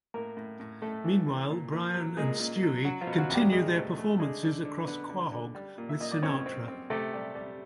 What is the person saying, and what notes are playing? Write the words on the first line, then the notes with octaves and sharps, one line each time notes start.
Meanwhile, Brian and Stewie continue their performances across Quahog with Sinatra.
A2 A#3 A#4
A2
A2
A2 A3 A4
E3
E3
A#2
A#2
F#3
A#2 G#3 G#4
A#2
F#3
F#3 F#4
F3 F4
B2
F#3 F#4
E2
G3 G4
E2 G#3 G#4
A3
A3
D3 G#3 G#4
D3
D3
D3 B3 B4
D3
D3
G3
A#2
E5
A#2 D#5
D5
C4 C#4 C#5
C4
C4
C3 A3 A4
G3
G3